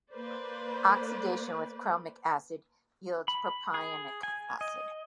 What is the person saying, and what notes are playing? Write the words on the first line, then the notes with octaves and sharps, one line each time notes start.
Oxidation with chromic acid yields propionic acid.
A#3 B4 C5 D5
B5
G#4
G#5
D#5